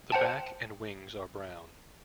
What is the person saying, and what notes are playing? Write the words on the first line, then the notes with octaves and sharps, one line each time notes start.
The back and wings are brown.
C5 F#5 G5 A5